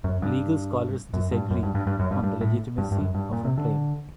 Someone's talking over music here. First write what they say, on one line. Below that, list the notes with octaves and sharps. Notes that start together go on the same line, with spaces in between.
Legal scholars disagree on the legitimacy of her claim.
F#2
G2
F#2
G2
F#2
G2
G2
G2
F#2
G2
G2
A2
G2
G2
F#2
G2
A#2
C3
D3